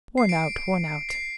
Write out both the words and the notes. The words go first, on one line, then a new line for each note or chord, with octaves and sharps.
"Worn out! worn out!"
C7
D7
C7